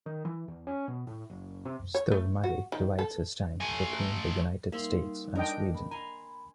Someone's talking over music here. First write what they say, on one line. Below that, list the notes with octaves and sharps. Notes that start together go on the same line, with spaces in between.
Stormare divides his time between the United States and Sweden.
D#3
E3
E2
C#4
B2
A2
F#1
C3
C#5
A3
F#4
D#3
A4
A3 G#5
G3 A#3 D#4 E5 C6
D4 A#4 D#5 G5
B5
G#5 A#5 C6